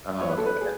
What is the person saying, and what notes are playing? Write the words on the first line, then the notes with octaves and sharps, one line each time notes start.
Um, and
C#5
B4
A4
B4
G#4